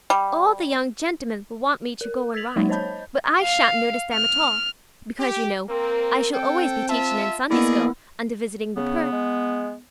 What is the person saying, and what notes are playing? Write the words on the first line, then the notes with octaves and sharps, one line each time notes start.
All the young gentlemen will want me to go and ride, but I shan't notice them at all, because you know I shall always be teaching in Sunday-school, and visiting the poor.
G3
A#4
E6 G#6 A6 B6 F7 F#7
F#3 G#3 A#3 D#4 C#5
C5 C#5 D#5 A5 B5 G6
F5
F6
G4
A#3 C4 A#4
C4 A4 G5
F4 E5 A5
A#3 B3 E4 G#4 D5 D#5
C#3 B3
G#3